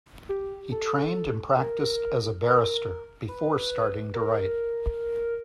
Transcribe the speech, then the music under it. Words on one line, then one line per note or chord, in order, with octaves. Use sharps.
He trained and practiced as a barrister, before starting to write.
G4
A4
A#4
A#4
B4
A#4